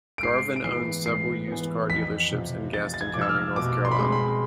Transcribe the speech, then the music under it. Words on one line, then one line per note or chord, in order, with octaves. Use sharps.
Garvin owns several used car dealerships in Gaston County, North Carolina.
D7
G#2 C7
D7
E3 B3 C7
G#2 C7
E3 B3
F2 B6
C3 F3
F2 A6
A6
G#6
C3 F3 D6
E6
F6
B2 D6
C6
B5
G#3 C4 C6
B5